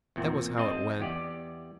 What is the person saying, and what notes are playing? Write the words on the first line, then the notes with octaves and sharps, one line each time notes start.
That was how it went.
E2 A#2 C4
C4 D#5 A5
E2 G4 D5